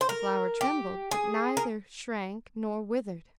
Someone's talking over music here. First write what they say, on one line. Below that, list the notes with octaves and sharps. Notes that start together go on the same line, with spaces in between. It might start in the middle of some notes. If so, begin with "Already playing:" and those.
The flower trembled, but neither shrank nor withered.
C5
A#4
G4
G#4
A#4